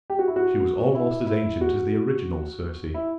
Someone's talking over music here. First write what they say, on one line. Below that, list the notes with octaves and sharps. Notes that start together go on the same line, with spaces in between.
She was almost as ancient as the original Circe.
G4
F#4
E4
F#4
E4
E4
F#4
E4